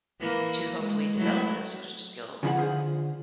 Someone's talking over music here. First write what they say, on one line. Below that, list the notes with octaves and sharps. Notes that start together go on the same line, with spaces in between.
to hopefully develop those social skills,
E3 A#3
G#3
F#3 A3 E4
C#3 F3 B3 E4 F4 F#5
D3 F4 G#4 C5